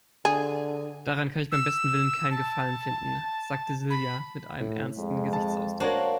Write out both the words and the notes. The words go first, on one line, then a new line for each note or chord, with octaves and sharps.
"Daran kann ich beim besten Willen keinen Gefallen finden", sagte Silja mit einem ernsten Gesichtsausdruck.
D3 G#4
E6
A5
B5
A2
F2 G#3
A5
A#3 D4 F#4 C5 C#5